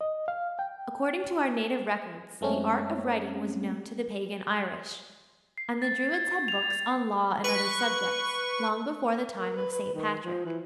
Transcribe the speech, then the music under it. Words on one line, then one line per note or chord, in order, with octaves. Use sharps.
According to our native records the art of writing was known to the pagan Irish, and the druids had books on law and other subjects, long before the time of St. Patrick.
D#5
F5
G5
F#2 G#3 A3 C4 C#4
C7
A6
G#6
F7
A6
B4 C#6
A#4
B4
B4
D#3
F3
E3